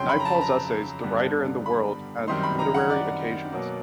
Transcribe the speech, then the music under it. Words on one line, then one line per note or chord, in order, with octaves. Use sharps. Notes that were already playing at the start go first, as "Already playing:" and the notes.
Naipaul's essays, "The Writer and the World" and "Literary Occasions".
Already playing: F2 C#3 F#3 G5 C6
B5
A#5
A5
B5
A#5
G2 D3 G3 B3
B5
F#2 D#3 G3 C4 D#4 C6
B5
A#5
F#5
D5
B2 F#3 A#3